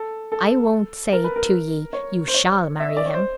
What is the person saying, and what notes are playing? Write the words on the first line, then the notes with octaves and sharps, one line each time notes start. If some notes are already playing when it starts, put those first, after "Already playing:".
I won't say to ye, you SHALL marry him.
Already playing: A4
A4
A#4
B4
A#4
C#5
C5
C#5
E5
D#5
D5
C#5
C5